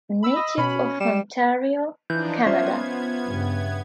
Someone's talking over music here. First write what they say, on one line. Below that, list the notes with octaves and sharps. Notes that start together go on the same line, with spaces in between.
Native of Ontario, Canada.
B5 E6
D#5
B2 C#4 B5
G3 E7
E3 F3 D4 D#4 G6
B3 C#4 F4 C5 E5 G#6
G2 C#3